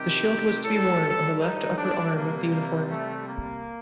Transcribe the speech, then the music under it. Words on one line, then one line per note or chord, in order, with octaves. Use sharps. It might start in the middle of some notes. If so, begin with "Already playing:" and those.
The shield was to be worn on the left upper arm of the uniform.
Already playing: C3 D#3 G3 G4
A2 G3 A4
D#4
D4
C3 G3 A#3
A3
A#3